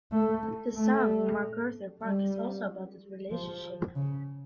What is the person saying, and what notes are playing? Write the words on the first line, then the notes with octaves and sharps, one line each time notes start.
The song MacArthur Park is also about that relationship.
A3
A3
G3
F3
C#3